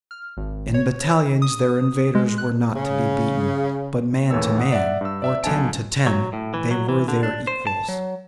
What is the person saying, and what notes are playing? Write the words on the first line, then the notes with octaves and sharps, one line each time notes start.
In battalions their invaders were not to be beaten, but man to man, or ten to ten, they were their equals.
F6
G#1
C#5
D#6
G#3
F#6
C#3
D#2 A2 E3 A#3 C#5 E6
F#5 D#6
D5 E5 F#5
G2 E6
D5 E5 E6
B1 D3 G#5 A5 D7
F#3
A2
E3
F#3
E3
D3
D4
C5
A5
F#3